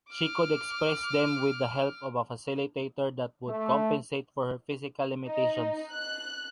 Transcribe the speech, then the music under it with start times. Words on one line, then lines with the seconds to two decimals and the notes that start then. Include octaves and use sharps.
She could express them with the help of a facilitator that would compensate for her physical limitations.
0.11 D6 F6
3.49 A3
5.28 D#4
5.92 F#6